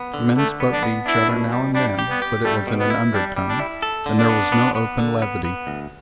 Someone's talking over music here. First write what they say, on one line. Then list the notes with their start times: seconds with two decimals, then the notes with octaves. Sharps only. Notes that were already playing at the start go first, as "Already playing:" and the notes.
The men spoke to each other now and then, but it was in an under tone, and there was no open levity.
Already playing: B3
0.14 D3
0.36 D3 A3
0.60 B3
0.72 D4
0.83 B3
1.06 D4 E4
1.29 B2
1.52 G3
1.75 G3 D4
1.99 G4
2.10 B3
2.22 G4
2.44 G3 A3
2.67 B2
2.79 B3
2.90 E4
3.14 G3 D4
3.36 G3
3.49 D4
3.59 E4
3.82 A4
4.06 D3
4.18 D4
4.29 B3
4.52 B3
4.75 B3
4.99 D3
5.22 B3
5.45 B3
5.67 D2